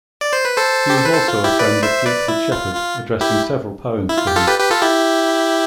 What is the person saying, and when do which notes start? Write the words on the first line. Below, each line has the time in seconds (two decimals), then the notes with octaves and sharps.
He was also a friend of Fleetwood Shepheard, addressing several poems to him.
0.21 D5
0.33 C5
0.45 B4
0.56 A4 C5
0.90 G4
0.98 A4
1.05 B4
1.13 A4 C5
1.28 F4
1.44 E4 G4
1.59 B4 D5
1.83 C5 E5
2.05 B4 D5
2.28 E4
2.52 F4
2.75 F4
3.21 E4 G4
4.09 E4
4.18 F4
4.27 G4
4.36 F4 A4
4.47 G4 B4
4.59 G4 B4
4.71 F4 A4
4.82 E4 G4